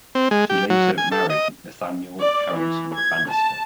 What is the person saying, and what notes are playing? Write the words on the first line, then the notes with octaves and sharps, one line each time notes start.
She later married Nathaniel Harrington Bannister.
C4
G#3
G4
F#3
G#5
A4
D#5
D5
E3
G#6
A5